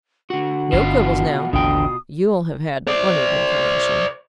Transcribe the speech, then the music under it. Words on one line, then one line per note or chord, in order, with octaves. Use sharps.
"No quibbles, now!--you'll have had plenty of information."
D3 F#4 F#5
G1 B2 F4
A1 D#2 D3 G5 D#6
C5 D5